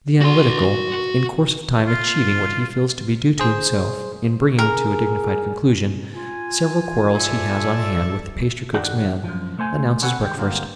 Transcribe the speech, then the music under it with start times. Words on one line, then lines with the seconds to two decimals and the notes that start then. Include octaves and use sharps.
The Analytical, in course of time achieving what he feels to be due to himself in bringing to a dignified conclusion several quarrels he has on hand with the pastrycook's men, announces breakfast.
0.21 F#4 C6
1.87 F4
3.39 G#4 C5
4.59 G#4 A#4
6.14 F4 G#5
7.15 A4 D5 E5
8.74 G2 D#3 G3 D4 F#4
9.24 F#2 F3
9.58 C2 A3 C5 G#5
10.02 B3 C4 A4 C#5 F#5 G#5
10.20 D#3 G#3 G4
10.37 D3 F#3 A#3 C4